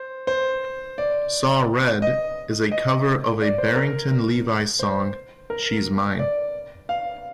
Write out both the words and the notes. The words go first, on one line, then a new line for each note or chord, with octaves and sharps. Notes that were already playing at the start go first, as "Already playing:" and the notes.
"Saw Red" is a cover of a Barrington Levy song, "She's Mine".
Already playing: C5
C5
D5
D#5
D#5
D5
C5
A#4
C5
A#4
D5
F5